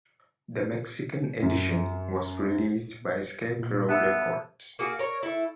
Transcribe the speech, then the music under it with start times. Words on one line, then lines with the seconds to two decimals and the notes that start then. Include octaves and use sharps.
The Mexican edition was released by Scarecrow Records.
1.42 F#2
3.59 A#2
3.89 B3 E5 A5 E6
4.79 A#3 F#4 G#4
4.99 A#4 C#5
5.23 A3 E4